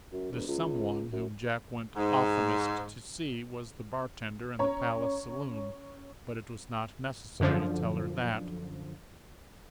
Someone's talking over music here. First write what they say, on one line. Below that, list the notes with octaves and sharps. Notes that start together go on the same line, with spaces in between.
The "some one" whom Jack went oftenest to see was the bartender in the Palace saloon, but it was not necessary to tell her that.
F#2
E1
C#2
F#2
G#2
C#4 C#5 A#5
F#2 D3 F3